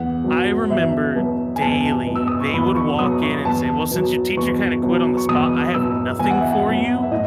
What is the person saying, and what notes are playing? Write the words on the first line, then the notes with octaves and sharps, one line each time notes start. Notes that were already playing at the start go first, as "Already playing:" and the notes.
I remember daily, they would walk in and say, "Well, since your teacher kinda quit on the spot, I have nothing for you.
Already playing: E2 F#5
B2 F#3
E2 E5
B2 F#3
G#5
E2 A5
B2 F#3
E6
D#6
C#6
E2 B5
C#6
B2 F#3 D#6
C#6
E2 A5
B2 F#3
E2 C#6
B2 F#3
C#6
E2 D#6
B2 F#3 E6
E2 G#5
F#5
E5
F#5
B2 F#3
E5
A2 D#5